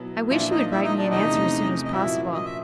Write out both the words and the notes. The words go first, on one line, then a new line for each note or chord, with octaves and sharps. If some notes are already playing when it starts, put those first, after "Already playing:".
I wish you would write me an answer as soon as possible.
Already playing: B2 F#3 B3 E4
A#2 F3 A#3 D4 E4 F4 E5
D#4 D#5
E4 E5
D#4 D#5
D4 D5
E2 C3 F3 A3 C#4 D#4 D#5
D#5
A#2 F3 A#3 C#4 E4 F#4 E5
D#5
E5